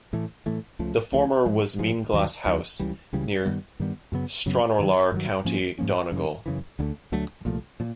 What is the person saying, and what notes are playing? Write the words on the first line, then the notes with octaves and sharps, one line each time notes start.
The former was Meenglass House, near Stranorlar, County Donegal.
A2 E3 A3
A2 E3 A3
C#2 C#3 F3 A3
C#2 C#3 F3 A3
G#2 F3 G#3
G#2 F3 G#3
D#2 D#3 F#3
D#2 D#3 F#3
C#2 C#3 E3 G3
C#2 C#3 E3 G3
G2 D#3 G3 B3
G2 D#3 G3 B3
F#2 C#3 F#3 B3
F#2 C#3 F#3 B3
G2 D#3 F#3
G2 D#3 F#3
G#2 F3 A#3 C#4
G#2 F3 A#3 C#4
F#2 C#3 E3
F#2 C#3 E3
D2 D3 F#3 A3
D2 D3 F#3 A3
C2 A#2 F3 A3
A#2 F3